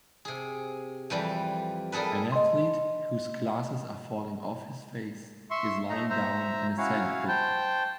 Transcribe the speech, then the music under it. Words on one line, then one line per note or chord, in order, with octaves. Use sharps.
An athlete who 's glasses are falling off his face is lying down in a sandpit.
C3 G#4
F2 E3 G3 B5
G3 A#3 G#4 A4 B4
D#5 C6
E5 C6 C#6
A3 D#4 A#5
C5 E5 A#5
C#4 E4 F#4 C#5 F5
C5 G5 A5